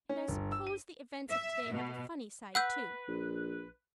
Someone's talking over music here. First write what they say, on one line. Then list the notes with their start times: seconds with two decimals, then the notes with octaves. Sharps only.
And I suppose the events of today have a funny side too.
0.09 C#4
0.28 G1
0.52 E6
0.67 D#7
1.30 E5
1.71 B2
2.55 B4 F#5 E6 G6
3.08 A#1